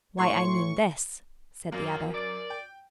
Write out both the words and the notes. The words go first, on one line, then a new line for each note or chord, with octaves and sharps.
"Why, I mean this," said the other.
A2 C#5 C6 C#6
F#2 A#2 A#3 A#4
D5
G5